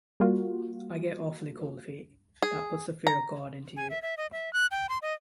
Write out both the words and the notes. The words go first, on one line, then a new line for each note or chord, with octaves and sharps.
I get awfully cold feet. That puts the fear of God into you.
G3 A#3 F4 F#4
G#4
A#5
G#5
E5
E5
D#5
E5
F#6
G5
C6
D#5